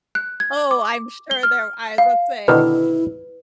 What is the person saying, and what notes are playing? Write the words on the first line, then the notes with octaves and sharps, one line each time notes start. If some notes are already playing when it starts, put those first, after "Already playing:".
Oh, I'm sure there I was about to say.
F#6
G#6
D6
G7
F6
F5
B2 D3 D#3 E4 B4